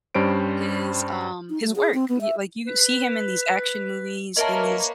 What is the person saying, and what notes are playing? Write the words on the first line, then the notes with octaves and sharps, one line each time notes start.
his, um, his work, y like you see him in these action movies and these
G2 G3 C#4 C5 D7
D#4
A3
G#4
C4
B3
E5
B4
A#3 A#4 B4 C#5 D#5 E5 A5